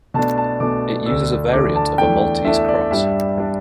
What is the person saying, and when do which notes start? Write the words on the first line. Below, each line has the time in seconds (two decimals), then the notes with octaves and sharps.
It uses a variant of a Maltese Cross.
0.14 B2 A3 D4 A5
0.38 A5
0.60 B2 A3 D4 D6
1.06 D2 D3 A3 D4 E6
1.53 D2 D3 A3 D4 D6
1.76 A5
1.98 E2 E3 A3 D4 G5
2.45 E2 E3 A3 D4 E5
2.69 D5
2.91 G2 G3 D4 E5
3.38 G3 D4